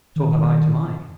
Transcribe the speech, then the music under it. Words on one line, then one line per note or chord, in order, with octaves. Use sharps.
"So have I to mine!"
D#3